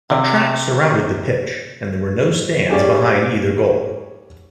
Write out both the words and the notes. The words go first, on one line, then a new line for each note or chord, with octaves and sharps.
A track surrounded the pitch and there were no stands behind either goal.
C3
C#4 G4 G#4 C#5 D5